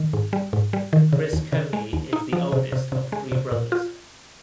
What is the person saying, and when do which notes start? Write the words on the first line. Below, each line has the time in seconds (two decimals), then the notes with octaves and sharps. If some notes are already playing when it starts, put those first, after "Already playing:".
Chris Coney is the oldest of three brothers.
Already playing: D#3
0.13 G#2
0.33 G3
0.53 G#2
0.73 G3
0.93 D#3
1.13 C#3
1.33 D#2
1.52 C#3
1.73 G#3
1.93 D#2
2.13 D#4
2.33 F3
2.52 C3
2.72 C3
2.92 C3
3.12 G#3
3.32 C3
3.52 A#2
3.72 F4